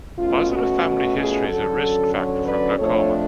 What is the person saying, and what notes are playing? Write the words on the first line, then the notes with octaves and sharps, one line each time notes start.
Positive family history is a risk factor for glaucoma.
B2 A3 C#4 F4
F#4
F#4
F4 G#4
D3 F#3 C#4 F#4 A4
A4 C#5
B4 D5
F2 F3 A3 D4 A4 C#5